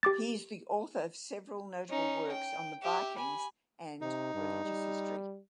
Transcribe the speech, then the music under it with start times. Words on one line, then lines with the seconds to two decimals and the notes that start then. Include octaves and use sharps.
He is the author of several notable works on the Vikings and religious history.
0.03 G4 D6 A6
1.90 C#4 D#4
2.32 G5
2.82 G4 E5
3.17 G#5 B5
4.01 C3 D#4
4.34 G2
4.65 G3